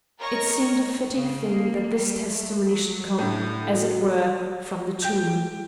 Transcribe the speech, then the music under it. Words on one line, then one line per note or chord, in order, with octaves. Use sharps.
It seemed a fitting thing that this testimony should come, as it were, from the tomb.
A#4 C#5 D#5 C#6 A#6
C#3
A#3
G3
A3
F#3
A2 D3
F#3
G5 G6